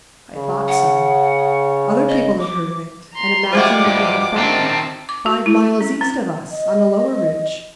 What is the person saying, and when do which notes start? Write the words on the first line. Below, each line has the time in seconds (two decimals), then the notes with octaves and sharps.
I thought so. Other people have heard of it, and imagine that they have found it--five miles east of us--on a lower ridge.
0.36 C#3
0.68 F#5
2.09 D#5
2.39 D6
3.13 A#5 C6
3.53 C3 G3 F4 F#4 C5 D#5 E5 D6
3.85 G2
4.38 D#3 C4 A5
5.09 D6
5.26 F#4
5.46 E4
5.81 C#4
6.01 C4
6.52 D#5